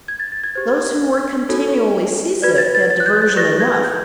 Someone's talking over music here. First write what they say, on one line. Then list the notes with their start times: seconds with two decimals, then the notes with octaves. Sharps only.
Those who were continually seasick had diversion enough.
0.08 G#6
0.20 A6
0.32 A6
0.44 G#6
0.55 G4 C5
1.49 D#4 F#4 A4 C#5
2.42 F#4 B4 D5 G#6
2.58 A6
2.75 A6
2.90 A6
3.00 F#6
3.06 G6
3.22 A6
3.36 G4 B4 D5 A#6
3.60 G#6
3.84 G6